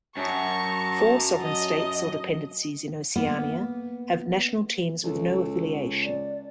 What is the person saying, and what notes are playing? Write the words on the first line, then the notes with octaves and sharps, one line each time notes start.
Four sovereign states or dependencies in Oceania have national teams with no affiliation.
F#2 A5 A#5 C#6
D#5
A#3 B3
C#2 A4
D5